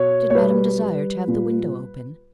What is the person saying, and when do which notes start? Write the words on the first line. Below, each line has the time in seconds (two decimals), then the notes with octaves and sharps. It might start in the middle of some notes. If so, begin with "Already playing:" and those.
Did madame desire to have the window open?
Already playing: B2 C#5
0.30 C#5
0.35 G3 B4
0.82 G3
1.27 A#2